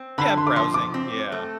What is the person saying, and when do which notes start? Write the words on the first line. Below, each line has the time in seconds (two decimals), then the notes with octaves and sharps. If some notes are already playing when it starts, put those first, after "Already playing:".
Yeah, browsing, yeah.
Already playing: C4
0.18 D3 B5
0.38 C6
0.47 D6
0.56 F3 C6
0.74 D6
0.94 C4
1.32 A3